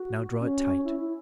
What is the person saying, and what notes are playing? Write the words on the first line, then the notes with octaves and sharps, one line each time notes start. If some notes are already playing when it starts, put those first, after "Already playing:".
Now draw it tight.
Already playing: F#4
C#4
E4
E4